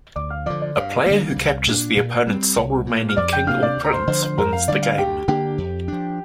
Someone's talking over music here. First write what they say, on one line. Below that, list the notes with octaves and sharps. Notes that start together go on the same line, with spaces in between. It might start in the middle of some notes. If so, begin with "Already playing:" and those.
A player who captures the opponent's sole remaining king or prince wins the game.
D2 D5 D6
F5 F6
D3 F3 D5 D6
D5
G2 F5
D3 G3 A#3
C2
A#2 A#3 D4
A#2
G3 C4
C2
A#2 A#3
F6
F2 D5 D6
G5 G6
C3 A#3 D4 F5 F6
D5 D6
D2
A#5
C5 C6
D3 F3 C5 C6
C5 C6
F2 A#4 A#5
F5
D3 G3 D5
F5
D2 G4 G5
D3 A#3 D4 G4 G5
F2
F3 D4